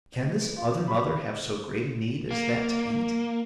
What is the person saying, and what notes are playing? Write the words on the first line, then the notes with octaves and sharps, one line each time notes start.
Can this other mother have so great a need as that to eat?
A2
E3
F4
B1
B5
A#3